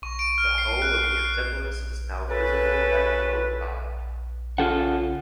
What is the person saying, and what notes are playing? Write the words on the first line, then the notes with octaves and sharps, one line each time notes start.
The hull of the Antipolis is now visible at low tide.
C#6
D7
F6
C7
F#6
C7
C#3 F#4 A4 B4
C#3 F4 A4 F#5